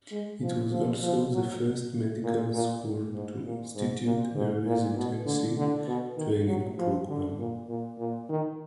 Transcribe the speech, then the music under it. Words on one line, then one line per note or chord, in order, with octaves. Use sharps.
It was also the first medical school to institute a residency training program.
G#3
F3
F3
F3
F#3
A#2
A#2
G#2
A#2
G#2
A#2
G#2
A#2
B2
D3
D3
B2
D#3
F#3
F3
D3
A#2
A#2
A#2
D#3